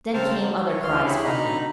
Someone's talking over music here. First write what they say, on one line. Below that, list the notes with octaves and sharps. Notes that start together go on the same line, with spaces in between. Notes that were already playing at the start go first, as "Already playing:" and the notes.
Then came other cries from them.
C#3 C4 A#4 C5 A5 F6
F#3
C#5
D2 E3 F5 C6 F6
E4 G4 G#4 C#5 B5
B2 D3 D#4 D#5 A#5 B5